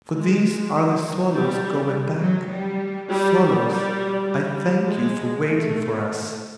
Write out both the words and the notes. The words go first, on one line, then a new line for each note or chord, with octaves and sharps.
For these are the swallows going back. Swallows, I thank you for waiting for us.
G#3
F#3
G3
F#3
G3
G3
G3
G3
G#3
A3